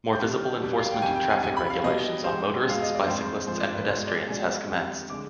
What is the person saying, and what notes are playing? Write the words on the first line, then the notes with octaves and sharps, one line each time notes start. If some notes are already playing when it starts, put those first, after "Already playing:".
More visible enforcement of traffic regulations on motorists, bicyclists, and pedestrians has commenced.
G6
C3 D#3 G3 F6
B2 G3
F5
G5
F2 D#3 G3 G#5
G5
G#5
C3 G3 G#5
B5
F5
B2 G3 D#5
G#2 G3 C5
B2 G#3 F5
D#5
D5
F2 D#3 G#3 C5
G#2 F3 G#3 C5
D5
B4
B2 G#3 C5
D5
B2 G#3 G#5
F2 D#3 G3
D3 G#3 D6